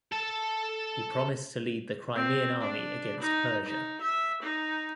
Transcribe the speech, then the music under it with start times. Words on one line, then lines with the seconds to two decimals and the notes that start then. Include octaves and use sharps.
He promised to lead the Crimean army against Persia.
0.12 A4 A5
2.15 C4
2.60 D4
3.20 D#4
3.66 D#4
4.01 E5
4.43 D#4